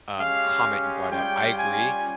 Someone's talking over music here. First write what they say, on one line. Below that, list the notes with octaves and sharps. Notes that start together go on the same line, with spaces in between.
um, comment you brought up. I agree,
G#3 C#4 G4 F5
G3 C#4 F4 G5
G#5